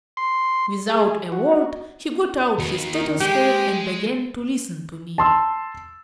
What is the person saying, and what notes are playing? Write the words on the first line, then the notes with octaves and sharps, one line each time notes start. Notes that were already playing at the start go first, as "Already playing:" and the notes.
Without a word he got out his stethoscope and began to listen to me.
C6
G#4
F#4
D#2 B2
D#3
G#3 G4
A5 C6 E6